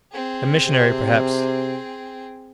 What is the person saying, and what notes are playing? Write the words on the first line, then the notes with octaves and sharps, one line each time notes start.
"A missionary, perhaps."
C4 G#4
C3